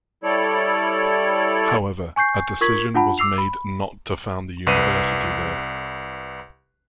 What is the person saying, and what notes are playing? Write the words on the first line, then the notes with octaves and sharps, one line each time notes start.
However, a decision was made not to found the university there.
G3 E4 A4 C#5 D5
G#5 C#6 G6 C7
F4 A#4 C#6 G#6 B6 F#7
D4 F4 F#5 A5 B5
D6 E6 C7 F7
B5
C2 B4 D#7